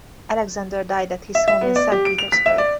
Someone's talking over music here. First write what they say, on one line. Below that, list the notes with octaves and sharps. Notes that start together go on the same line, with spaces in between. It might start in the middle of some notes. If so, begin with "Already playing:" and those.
Alexander died at his home in Saint Petersburg.
E5
E5
B3
D5
G4
D7
F7
B6
E5
D5